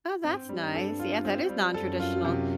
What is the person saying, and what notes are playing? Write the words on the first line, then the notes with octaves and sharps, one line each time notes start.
Oh, that's nice. Yeah, that is nontraditional,
G#2 C4
G2
G3
G2
A4
F4
C4
G3
F#2 A4
F4
C3